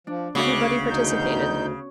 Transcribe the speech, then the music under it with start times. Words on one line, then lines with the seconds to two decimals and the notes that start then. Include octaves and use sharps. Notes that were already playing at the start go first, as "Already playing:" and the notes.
Everybody participated.
0.07 F3 D4
0.35 D2 G#2 C#3 B3 C#4 F#4 D6 F#6
0.90 E2 D#4 G6